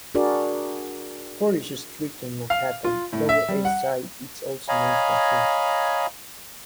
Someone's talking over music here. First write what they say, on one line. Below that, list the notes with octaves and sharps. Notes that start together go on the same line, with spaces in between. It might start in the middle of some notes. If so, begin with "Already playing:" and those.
Forsyth Street on Manhattan's Lower East Side is also named for him.
D4 F#4 G#4 A#4 D5
F5
F4
A2
E5
G3
F#5
C#5 D#5 F5 G#5 A#5 B5